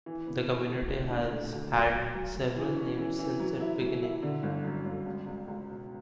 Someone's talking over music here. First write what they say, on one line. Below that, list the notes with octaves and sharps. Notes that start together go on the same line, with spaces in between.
The community has had several names since its beginning.
E3
B3
E3
D2
D2
D4
A3
D2
F#3
F#3
F#3
F#3
E3
C#4
E3
E3
F#3
E4
F#3
E4
D3
G1
F#2
G1
C#2
C#2
C#2
B2